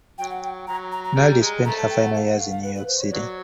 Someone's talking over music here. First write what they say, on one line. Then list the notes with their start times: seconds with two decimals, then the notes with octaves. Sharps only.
Naldi spent her final years in New York City.
0.18 F#3 G5
0.30 F#5
0.43 G5
0.67 F#3 A#5
0.92 A#5
1.04 A#5
1.16 G3
1.41 G#3
1.65 A3 A#5
1.77 A5
1.89 G5
2.02 F#5
2.15 F5
2.27 F#5
2.38 F5
2.51 F5
2.63 B4
2.75 B4
2.88 C5
3.00 C#5
3.12 F#3 D5